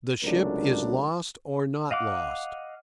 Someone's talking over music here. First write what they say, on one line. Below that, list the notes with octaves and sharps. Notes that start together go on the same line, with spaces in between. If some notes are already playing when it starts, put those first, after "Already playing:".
The ship is lost or not lost.
C#2 C3 F#3 A3 D4 A#4
D#5 F5 F#5 D6